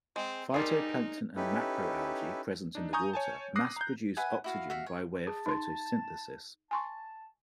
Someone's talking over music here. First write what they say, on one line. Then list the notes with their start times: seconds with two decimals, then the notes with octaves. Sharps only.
Phytoplankton and macroalgae present in the water mass-produce oxygen by way of photosynthesis.
0.16 G#3 C4
0.54 G3 D#4 G#4 A#4 D5 C6 C7
1.36 C#4 D#4 E4 G4 A4 B4
2.75 D4 D#4
2.93 G#5 A#5 C#6 D#6 G6
3.13 C#5 G#5 A5
3.56 D6 D#6 F#6 A#6 C7
3.76 A#5 G6
4.17 B4 E5 F#5 G#5
4.44 E4 F#4 F5
4.70 F#4 E5 F5
4.86 C#5
5.27 G#4 A5
5.46 D#4 C6
6.71 G#5 A5 C6 C#6